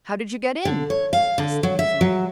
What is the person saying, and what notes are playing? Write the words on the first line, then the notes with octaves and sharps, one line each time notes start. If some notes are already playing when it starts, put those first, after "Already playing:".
"How did you get in?" asked the Woozy.
D3
C#5
F5
D3
F#3
E5
F#3